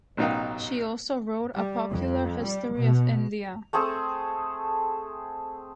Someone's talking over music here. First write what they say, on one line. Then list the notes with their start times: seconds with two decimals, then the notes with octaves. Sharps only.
She also wrote a popular history of India.
0.17 A1 B2 F#3 D#4 F5 G5
1.55 G3
1.90 F2
2.43 G3
2.76 B2
3.73 A3 C4 G#4 A4